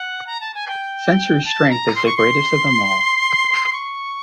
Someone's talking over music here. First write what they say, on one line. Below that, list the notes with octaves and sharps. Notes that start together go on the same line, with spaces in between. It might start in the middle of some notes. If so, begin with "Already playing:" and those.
Sentry's strength is the greatest of them all.
Already playing: F#5
A#5
A5
G#5
G5
A5
A#5
C6
C#6
C6
C#6